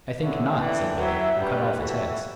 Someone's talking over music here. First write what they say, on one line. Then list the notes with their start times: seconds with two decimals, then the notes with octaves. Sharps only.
"I think not," said Billy, and cut off his heads.
0.20 D3 B3 E4 G4 C#5 E5
0.59 E3 B3 D4 A4 D5 G5
0.99 F#3 E4 B4 E5 G5
1.38 G3 A3 D4 F#4 B4
1.77 E3 F#4 A4 C#5 E5 G5